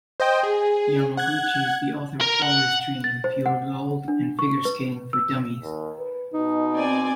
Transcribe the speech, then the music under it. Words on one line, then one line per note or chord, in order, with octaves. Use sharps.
Yamaguchi is the author of "Always Dream", "Pure Gold", and "Figure Skating for Dummies".
C5 D#5 G5
G#4
F#5 F#6 G#6
A#4
F#5
A6
C5
F#5
D4
C#6
B4
E6
D#2
B4
B2 D#4
C4 D5 G#5